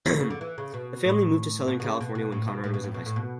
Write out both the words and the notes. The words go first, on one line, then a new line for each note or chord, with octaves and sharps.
The family moved to Southern California when Conrad was in high school.
B2
C#3
D3
E3
C#3
B2
A2
B2
B2
C#3
B2
B2
A2
B2
A2
B2
A2
B2
A2
B2